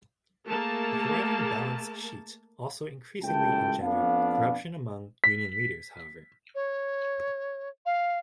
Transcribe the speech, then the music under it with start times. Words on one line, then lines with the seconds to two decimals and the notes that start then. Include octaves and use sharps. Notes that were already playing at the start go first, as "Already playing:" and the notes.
A thriving balance sheet also increasingly engendered corruption among union leaders, however.
0.48 A3 A#3 G#4 A#4 A5
3.21 C#2 F#2 A2 G5 A5
3.81 F2 B3 D4 F5
5.24 B6
6.55 C#5
7.86 F5